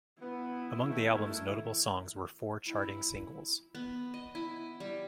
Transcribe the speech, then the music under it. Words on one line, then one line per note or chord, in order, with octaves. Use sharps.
Among the album's notable songs were four charting singles.
B3 E4
D#3 A3
E4
B3
D#5
E4
G3